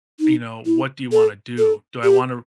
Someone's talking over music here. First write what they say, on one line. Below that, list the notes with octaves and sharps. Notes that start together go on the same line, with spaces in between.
you know, what do you wanna do? Do I wanna
D#4
E4
A4
A4
G4